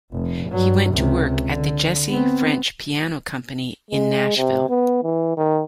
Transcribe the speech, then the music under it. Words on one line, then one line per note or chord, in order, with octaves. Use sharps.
He went to work at the Jesse French Piano Company in Nashville.
F1
G2 F#3
C#2 C3
D3
B3 C4
G#3
C3
B3
E3
D#3